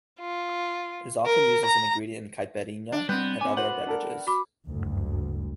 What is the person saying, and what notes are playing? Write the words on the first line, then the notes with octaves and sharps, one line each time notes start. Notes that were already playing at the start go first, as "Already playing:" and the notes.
It is often used as an ingredient in caipirinha and other beverages.
F4
A#4
A#5
D4
G3 B3 C4 F#6 G6
C4 G#5 D6
F#4 B4 C5 F#5
D4 A4 A#4
F#4 B5 D6
F#1 D2 G2